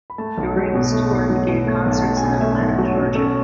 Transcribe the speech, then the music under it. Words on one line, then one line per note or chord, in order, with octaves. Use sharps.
During this tour, he gave concerts in Atlanta, Georgia.
B5
A3 A5
B1
F#3
B2
A3
B1
F#3
B2
A3
B1
A5
F#3
G#5
B2
A3 E5
B1
F#3 F#4
B2
C#4 A4